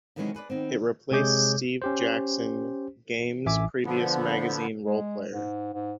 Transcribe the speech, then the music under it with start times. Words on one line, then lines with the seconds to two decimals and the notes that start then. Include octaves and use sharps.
It replaced Steve Jackson Games' previous magazine "Roleplayer".
0.16 C3 D#3 E3 F#3 G#3 C#4
0.35 G#4 B4 C5 D5
0.50 D#3 B3 C4
1.12 C3 G#3 G#4 C#5 D6 G6
1.82 C#4 G4 C5
3.46 A1 E5 G#5 D6
3.84 D3 F3 B3
4.85 G#3
5.32 G#2
5.74 G#2